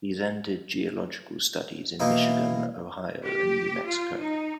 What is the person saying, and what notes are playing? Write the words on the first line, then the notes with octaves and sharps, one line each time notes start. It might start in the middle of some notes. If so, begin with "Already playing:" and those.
He then did geological studies in Michigan, Ohio, and New Mexico.
B2 E3 A#3 D#4 E4
G4
F4
D#4